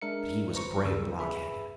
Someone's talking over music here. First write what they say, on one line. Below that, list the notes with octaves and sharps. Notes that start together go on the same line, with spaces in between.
But he was a brave blockhead.
G#3 D4 A#4 E5 C#7
B4 C5 A#5 C#6
D#2 C#3 E6
G#4 B4 E5 B5